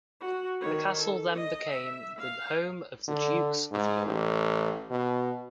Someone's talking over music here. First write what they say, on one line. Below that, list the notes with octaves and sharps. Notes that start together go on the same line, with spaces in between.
The castle then became the home of the Dukes of York.
F#4
D#3 C#5
A4
D#5
E5
F5
D3
G#2
A1
B2